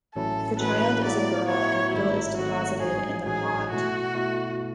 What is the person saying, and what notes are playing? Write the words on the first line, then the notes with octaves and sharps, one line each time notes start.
If the child is a girl, a needle is deposited in the pot.
A1 A2 F#3 C#4 E4 A4
A1 A2 F#3 C#4 E4 B4
A2 F#3 B3 E4 D5
A2 F#3 B3 E4 C#5
G#1 G#2 F#3 A3 E4
G#1 G#2 F#3 A3 F#4
A1 G#2 F#3 G#4
A1 G#2 F#3 G#4
B2 A3 E4 F#4
B2 A3 E4